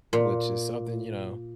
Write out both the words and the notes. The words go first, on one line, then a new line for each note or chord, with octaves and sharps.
which is something, you know,
A#2